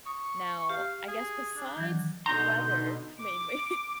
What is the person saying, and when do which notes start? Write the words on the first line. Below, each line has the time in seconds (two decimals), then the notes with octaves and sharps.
Now I guess besides weather, mainly,
0.06 C#6 D#6
0.69 G4 F5
1.08 G#4
1.57 D4
1.76 D#3 E3 F#3
2.26 B2 D3 D#4 A#5 C6 G6
3.19 D6